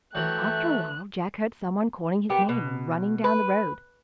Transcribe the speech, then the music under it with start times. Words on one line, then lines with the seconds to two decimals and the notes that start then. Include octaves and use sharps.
After a while Jack heard some one calling his name and running down the road.
0.15 E3 F#3 A3 G5 F#6
2.29 A#3 B3 G4
2.49 B2
3.24 B4